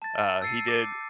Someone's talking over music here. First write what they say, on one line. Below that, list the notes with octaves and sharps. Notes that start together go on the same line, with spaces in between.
Uh, he did.
A5 A6
E6 A6 C7 C#7 D#7
D6